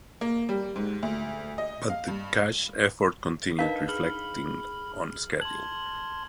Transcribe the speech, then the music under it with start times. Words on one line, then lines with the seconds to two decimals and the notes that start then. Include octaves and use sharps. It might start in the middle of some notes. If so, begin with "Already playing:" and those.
But the cash effort continued reflecting on schedule.
0.21 A#3
0.49 G3
0.76 G#2
1.03 D2
1.58 D#5
1.90 F5
2.08 G2
3.59 D4 D#4 A#4 B4 D#5 F5
3.89 G#4 B5 F6 F#7
5.41 A5 C6 G#6 F#7